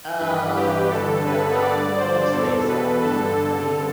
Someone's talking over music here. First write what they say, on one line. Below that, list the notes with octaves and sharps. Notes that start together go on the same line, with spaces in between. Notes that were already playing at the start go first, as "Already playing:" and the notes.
Oh, yeah, well, you know, mistakes happen. I mean,
G2 E3 B4
G4
G2 D3 A4
B4
G2 D3 D5
C5
E2 B2 A4
B4
G2 D3 A4
A4